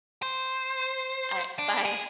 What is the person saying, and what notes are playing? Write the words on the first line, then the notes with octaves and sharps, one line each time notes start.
Alright, bye.
C5
D4
G#4